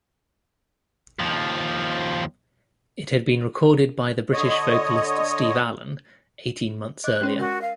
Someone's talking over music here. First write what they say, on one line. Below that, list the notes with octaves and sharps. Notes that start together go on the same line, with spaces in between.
It had been recorded by the British vocalist, Steve Allan, eighteen months earlier.
D#2 F3
D3 C#5 D#5
D#5 D6 F#6
G#3 C#4 C#5
F#4 A#4 A#6
F5